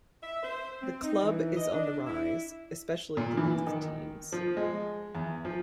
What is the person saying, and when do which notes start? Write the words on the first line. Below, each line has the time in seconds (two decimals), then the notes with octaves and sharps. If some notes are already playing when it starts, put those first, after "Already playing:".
The club is on the rise, especially the youth teams.
0.23 E5
0.43 C5
0.82 C4
1.03 D#4
1.22 E3
1.56 D#5
1.72 D4
2.07 E4
3.17 A#2
3.37 E3
3.67 D#3
4.32 F3
4.57 G#3
5.15 E2
5.45 F3